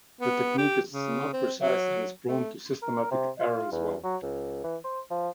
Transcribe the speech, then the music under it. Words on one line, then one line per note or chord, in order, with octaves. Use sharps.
The technique is not precise and is prone to systematic error as well.
B3
G4
C#3
C4
F#3
A3
A#4
C3
F4
E2
F#3
C#2
E3
C5
F3